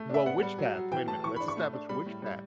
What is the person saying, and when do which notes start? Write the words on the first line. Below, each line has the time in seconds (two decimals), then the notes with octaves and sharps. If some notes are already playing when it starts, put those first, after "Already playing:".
Well, which path? Wait a minute, let's establish which path.
Already playing: A3
0.09 D4 E5
0.26 B3 F#5
0.43 G3
0.59 F#3
0.75 F#3
0.91 E3 G5
1.08 A2 A5
1.24 E3 C#6
1.36 D4 B5
1.48 C#6
1.57 A3
1.73 D4
1.89 G3 B5
2.06 A2
2.22 G3